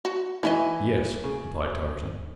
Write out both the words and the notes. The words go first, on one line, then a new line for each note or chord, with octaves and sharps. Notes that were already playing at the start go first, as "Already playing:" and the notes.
"Yes," replied Tarzan.
F#4
E3 C#4 E4 D#5
C#3